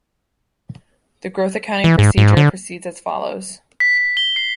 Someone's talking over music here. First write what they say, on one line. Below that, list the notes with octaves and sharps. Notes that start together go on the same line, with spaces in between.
The growth accounting procedure proceeds as follows.
E3
G#2
G#2
D3
B6
B6
G7
C7